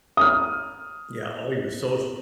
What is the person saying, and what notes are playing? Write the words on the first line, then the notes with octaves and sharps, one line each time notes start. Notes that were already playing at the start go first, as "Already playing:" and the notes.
yeah, all your soc
D#6 F6